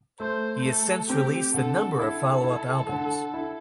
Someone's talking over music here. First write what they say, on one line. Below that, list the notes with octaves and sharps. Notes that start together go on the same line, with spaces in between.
He has since released a number of follow-up albums.
A3 C5
A3 A4
C4 G4
D3 A4
E4 A4
E4
D3
E4